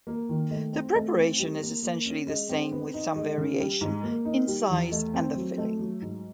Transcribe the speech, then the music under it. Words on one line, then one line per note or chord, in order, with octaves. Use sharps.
The preparation is essentially the same with some variation in size and the filling.
A#3
D#3
A3
C4
A3
C4
G3
A#3
A#3
C#4
G#3
C4
B3
D#4
G#3
C#3
G3
G#2
A#3
D#4
G3
E2
A3
C4
F#3
A3
F#3
G#2